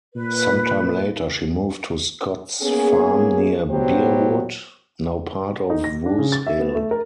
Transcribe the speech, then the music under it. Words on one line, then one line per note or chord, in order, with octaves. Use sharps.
Some time later she moved to Scott's Farm near Bearwood, now part of Woosehill.
A#2 B4
A#3 B3 C#4 G#4
E2 B2 F#3 B3 G4 C5
D#4
A#6
D4
C#3
A6
E5
B3
A3
A#4